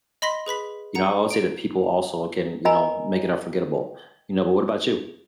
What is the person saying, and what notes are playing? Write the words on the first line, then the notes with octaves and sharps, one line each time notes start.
you know, I would say the people also can, you know, make it unforgettable, you know. But what about you?
D#5 B5 C6 A#6 B6
G#4 B4 B5 B6
F#5 A#5 C#7
D7
A#4 D#5 G#5 A#5 B5